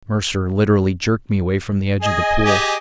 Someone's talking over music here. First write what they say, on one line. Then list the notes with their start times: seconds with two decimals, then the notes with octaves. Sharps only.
Mercer literally jerked me away from the edge of the pool.
2.01 G#4 D#5 G#5
2.45 G4 G#4